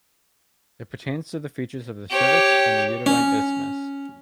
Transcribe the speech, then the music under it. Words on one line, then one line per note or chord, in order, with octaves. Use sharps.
It pertains to the features of the cervix and the uterine isthmus.
G4 C#5
C#4